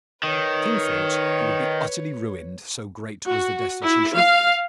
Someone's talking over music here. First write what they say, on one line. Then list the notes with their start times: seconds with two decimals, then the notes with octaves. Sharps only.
The King thought he would be utterly ruined, so great was the destitution.
0.23 D#3 B4 C#5
3.26 F#4
3.81 E4
4.13 F5